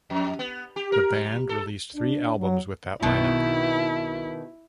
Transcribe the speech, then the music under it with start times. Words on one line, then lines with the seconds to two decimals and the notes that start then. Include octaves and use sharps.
The band released three albums with that lineup.
0.10 F2
0.39 B3
0.76 G4
0.92 A#4
1.13 G3
1.49 A4
1.96 D4
2.38 F#3
3.03 B1 B2 D#3 C4 E4